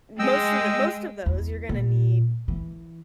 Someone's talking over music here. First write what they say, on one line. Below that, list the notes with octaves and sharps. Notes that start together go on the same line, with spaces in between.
most of the most of those, you're gonna need
G#3 D#5 G5 E6
E2
A#2
E3